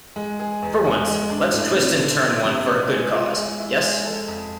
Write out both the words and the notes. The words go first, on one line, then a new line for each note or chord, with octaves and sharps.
For once let's twist and turn one for a good cause, yes?
G#3
G#4
E2
G#3
G#3
D4
A2
C4
D3
E4
C3
B3
G#3
F4
G#3
E4
G#3
A4
F2